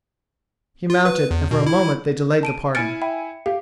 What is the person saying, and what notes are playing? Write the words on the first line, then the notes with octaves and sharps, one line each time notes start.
He mounted and for a moment they delayed the parting.
F4
B4
E2
B2
E4
A5 D7 D#7
E4 G#5 F6 A6 C#7 D7
E5 G5 B5
G4 F5